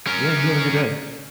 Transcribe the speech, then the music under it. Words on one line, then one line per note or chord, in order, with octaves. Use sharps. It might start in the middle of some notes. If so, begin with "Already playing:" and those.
Yeah. You have a good day.
C#4 A#4